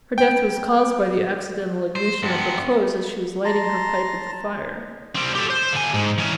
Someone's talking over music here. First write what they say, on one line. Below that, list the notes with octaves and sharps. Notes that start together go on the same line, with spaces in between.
Her death was caused by the accidental ignition of her clothes as she was lighting her pipe at the fire.
G5
C5
G2 B3
A5 A#5 C6
G3 C4
G4 A4
C5
D3 G#5
G#2
E3 C#4